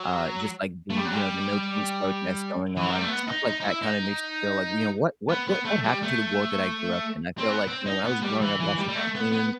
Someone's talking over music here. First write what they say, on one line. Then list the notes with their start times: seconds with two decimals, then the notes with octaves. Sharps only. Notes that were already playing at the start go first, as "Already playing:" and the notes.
uh, just, like, the you know, the No Kings protest going on, stuff like that kinda makes you feel like, you know, "What what what what happened to the world that I grew up in?" I feel like, you know, when I was growing up watching cartoons,
Already playing: F#3
0.90 A3
0.96 G3
1.05 F#3
1.12 G3
2.77 E3
2.86 F#3
2.93 G3
3.01 A3
3.09 B3
3.28 D#4
3.46 D#4
3.60 D#4
3.65 E4
3.82 D#4
5.29 B3
5.48 B3
5.65 A3
5.84 G3
6.03 A3
7.38 C4
7.49 B3
7.67 C4
7.86 D#4
8.04 B3
8.22 G3
8.41 E3
8.60 E3
8.78 G3
8.88 G3
8.95 A3
9.15 B3
9.32 B3